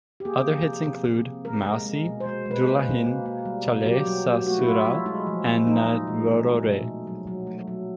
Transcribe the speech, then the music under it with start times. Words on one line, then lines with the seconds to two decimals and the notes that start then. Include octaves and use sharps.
Other hits include "Mousie", "Dulahin Chale Sasural" and "Naroro Ray".
0.20 G4
0.25 A#3 G#4
0.46 F3
0.65 C3
0.86 C3
1.05 A#3
1.26 C3
1.45 G#3 A#4
1.66 G#3
1.85 G#3
2.06 B2
2.20 G#3 C5
2.46 G#3
2.51 B4
2.66 A#3
2.86 B2
3.06 A#3
3.26 A#3
3.45 G3
3.66 B2
3.86 F#3 G4
4.06 F#3
4.26 F#3
4.46 A3 F#4
4.59 E4
4.67 A3 F4
4.86 F#3 F4
5.06 G#3 E4
5.27 F3
5.47 F3
5.67 A#2 D#4
5.87 A#2
6.07 G#3
6.27 B2
6.47 A3
6.67 B2
6.87 B2
7.07 F#3
7.27 F#3
7.47 A3
7.68 F#3